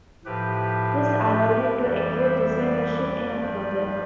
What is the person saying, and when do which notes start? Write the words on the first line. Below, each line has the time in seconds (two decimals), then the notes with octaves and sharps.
This allowed it to exit receivership in October.
0.25 A2 F3 G4 B4
1.81 F2 E3 G3 B4 D5
2.19 C5 E5
2.59 B4 D5
3.37 G2 F3